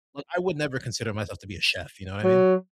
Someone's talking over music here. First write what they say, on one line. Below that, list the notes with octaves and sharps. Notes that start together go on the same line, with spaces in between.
like, I would never consider myself to be a chef, you know what I mean?
F#3